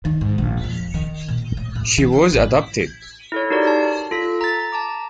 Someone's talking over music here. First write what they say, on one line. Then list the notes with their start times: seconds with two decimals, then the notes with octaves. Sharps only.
She was adopted.
0.05 D#3
0.21 G#2
0.38 A#1
0.64 F2
0.94 D#3
1.28 A#2
1.57 A2
1.75 A2
1.98 E3
2.33 A1
3.32 E4 A4 C#5
3.50 D#4 F#4 G4 A#4 D5
3.67 A5
4.11 F4 A4 B6
4.41 A#5 A6
4.72 A5 A#5 D6